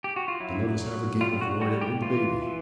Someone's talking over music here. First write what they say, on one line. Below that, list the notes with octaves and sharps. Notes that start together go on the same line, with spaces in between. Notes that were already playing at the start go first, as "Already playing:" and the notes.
Then let us have a game of loriot with the baby!
G4
F#4
F4
F#3 E4
F#3
G3 F4
F#4
G3 F#4
G4
E3 F4
E3